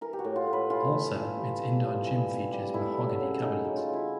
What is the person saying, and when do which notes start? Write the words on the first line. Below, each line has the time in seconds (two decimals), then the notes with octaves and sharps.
Also its indoor gym features mahogany cabinets.
0.01 E3 A#4
0.13 G4
0.19 F#4
0.24 A2
0.36 F4
0.47 A2
0.53 B4
0.70 E3 F4
0.93 A3
1.16 E3
1.38 G3
1.61 C4
1.83 G3
2.06 E3
2.29 C4
2.51 G3
2.74 A3 E4
2.97 F#3
3.20 C#3
3.43 C#3 D#4
3.65 F#3
3.76 F4
3.88 C#3
3.93 E4